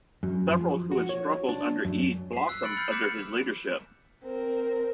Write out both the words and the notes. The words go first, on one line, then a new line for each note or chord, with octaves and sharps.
Several who had struggled under Eade blossomed under his leadership.
F#2
F3
F#4
C#5
D4
F#2
B6 C7
E6 F#6 B6
B5 F#6 A6 C#7 D7 F#7
B5 F6 G6 C7
D6 F#6 B6 C#7 E7
C4 A#4